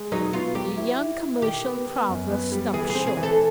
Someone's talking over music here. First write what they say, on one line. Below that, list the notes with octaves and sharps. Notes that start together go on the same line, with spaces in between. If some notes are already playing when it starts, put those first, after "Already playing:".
The young commercial traveler stopped short.
Already playing: G#3
F#3 D#4
B3 F4
F#3 G4
E4
E4
E4
D#3 G4
B3
B3
F#2
B3
G3
E3 G#4
G#4
C4
G#4
E3
A4